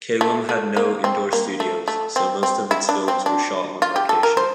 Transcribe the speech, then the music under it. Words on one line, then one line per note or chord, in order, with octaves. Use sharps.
Kalem had no indoor studios, so most of its films were shot on location.
A3
A3
A#3
C4
A#3
A3
A3
C4
C4
E4
D4
C4
D4
F4
G4
A4
A#4
C5